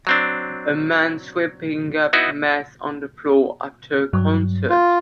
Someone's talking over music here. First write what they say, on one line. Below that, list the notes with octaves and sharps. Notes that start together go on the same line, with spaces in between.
A man sweeping up mess on the floor after a concert.
F#3 C4 D4
B3 D#4 E4 F#4
G2 F#3
F4